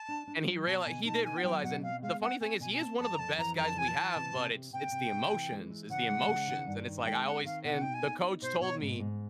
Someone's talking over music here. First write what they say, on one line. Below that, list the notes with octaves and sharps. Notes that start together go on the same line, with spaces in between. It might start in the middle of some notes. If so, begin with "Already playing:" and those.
and he reali he did realize, and the funny thing is he is one of the best guys we have, but it's it's the emotions, it's the emotions. And it's like I always and the coach told me,
Already playing: A5
D4
D4
F#3
B2 A5
A5
B2 G#5
D#4 A5
B3 G#5
F#5
F#3 G5
B2 F#5
C4 F5
G#3 F5
C4 F#5
C4 G#5
B2 G#5
G#5
C4 A5
F2 A5
A#5
F2 A5
E3 A#5
F2 A#5
A5
E3 G#5
A5
E3
C3
C3
C3
C3 G5
C3
C3
E3
G#3
E3
C#3 F#5
G#3
C#3
D#3
G2
D#3
G#3 G5
C4 F#5
D#3 F5
B2 F#5
D#4 G5
G#5
D#4
D#4
B2 C5
B2 C#5
G#2
G#2